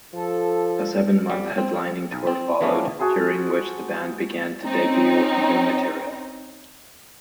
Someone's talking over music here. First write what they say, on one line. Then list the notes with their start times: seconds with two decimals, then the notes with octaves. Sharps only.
A seven-month headlining tour followed, during which the band began to debut new material.
0.14 F3 A4
1.28 F2 G3
1.58 C4
2.12 B1
2.27 C4
2.61 E3 F3 A3 B3 C#4 D4
2.99 F#4 G#4 A5 C6
4.63 C4 C#4 D#4